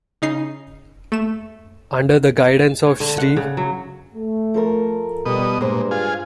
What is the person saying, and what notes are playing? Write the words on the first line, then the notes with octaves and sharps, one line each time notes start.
Under the guidance of Shri.
C#3 D#4 C7
A3 E7
C#5
D3
F#5
C#3
F#3
A3
F3 A4 A#4
B2 G3 D#5
G2 A#2 G#3 C5
F4 G#4